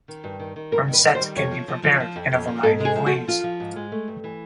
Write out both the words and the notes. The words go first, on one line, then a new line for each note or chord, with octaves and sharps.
Ensete can be prepared in a variety of ways.
D#3
G2
D#3
D#3
G2 A#4
D#3
B4
D#3
C5
G3
F2 C#5
F3
F3
F3
F3
F2
F2
F3
G#2 A4
G#3 G#4
F3
F#4
F3
F3 F4
F3
G#2
G#3
A3
G2
E3